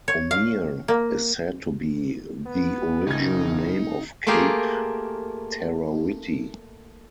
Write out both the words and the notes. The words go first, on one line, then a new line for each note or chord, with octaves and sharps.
Omere is said to be the original name of Cape Terawhiti.
C#5
F5
A#3
B3
F#1 C#2 C#3 D#4 G#6
A3 A#3 F4 G4 G#4 A#4